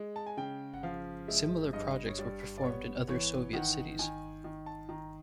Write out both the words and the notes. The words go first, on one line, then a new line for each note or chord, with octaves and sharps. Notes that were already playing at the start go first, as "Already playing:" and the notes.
Similar projects were performed in other Soviet cities.
Already playing: G#3
A5
G#5
C#3 G5
F#5
F3 F5
G#3 E5
G2 D#5
C#5
G3 D5
D5
B3 C#5
E3 C#5
D#3 F#5
D#3 G#5
D#3
A5
D#3 A#5